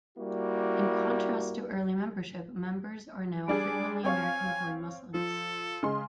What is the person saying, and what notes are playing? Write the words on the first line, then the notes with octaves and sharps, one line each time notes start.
In contrast to early membership, members are now frequently American-born Muslims.
G3 A#3 E4 F#4
G3 D4 G#4 D6
C4 C#5 F5 G#5
F3 A4
C#3 G#3 C6